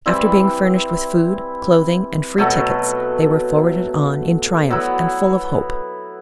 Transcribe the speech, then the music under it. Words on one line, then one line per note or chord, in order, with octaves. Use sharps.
After being furnished with food, clothing, and free tickets, they were forwarded on in triumph and full of hope.
E3 G3 C4 E4
B2 F#3 A3
F#3 B3 E4